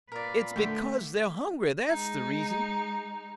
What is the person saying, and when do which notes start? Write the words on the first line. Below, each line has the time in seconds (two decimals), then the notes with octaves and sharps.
It's because they're hungry; that's the reason.
0.12 A#2 A#4 B4 D5
0.56 D3 A3 G5
1.86 G#3 D#4